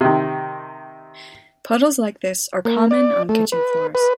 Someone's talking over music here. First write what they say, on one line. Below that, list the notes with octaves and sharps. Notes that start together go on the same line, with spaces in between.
Puddles like this are common on kitchen floors.
C3 D#3
A#3
D5
A3
B4
B4